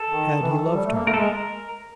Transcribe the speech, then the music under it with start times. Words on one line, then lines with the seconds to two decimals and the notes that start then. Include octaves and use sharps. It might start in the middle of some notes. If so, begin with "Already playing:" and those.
Had he loved her?
Already playing: A4
0.09 D#3
0.42 E3
0.50 D#3
0.66 F3
0.74 G3
0.85 A3
0.95 A#3
1.06 A3 A#4
1.14 A4
1.17 G#3 A#4